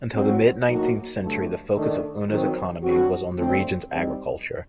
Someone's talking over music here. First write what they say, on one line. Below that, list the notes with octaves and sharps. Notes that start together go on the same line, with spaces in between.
Until the mid-nineteenth century the focus of Unna's economy was on the region's agriculture.
F#3 C4 F#4 C5
A2 F#3 A#3 D#4 F#4
G2 D3 F#3 A3
D#3 A3 D4 A4 D#5
D#3 F#3 C4
D3 F#3 C4 F#4
D3 F#3 A3 C4
G3 C4 D#4